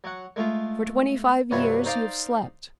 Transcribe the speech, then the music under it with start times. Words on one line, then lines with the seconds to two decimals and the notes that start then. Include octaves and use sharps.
For twenty-five years you have slept.
0.04 F#3 F#5
0.36 G#3 A3 F4
1.51 G2 C3 F#3 F4 B4 C#5
1.86 D#4 C5 D5 F5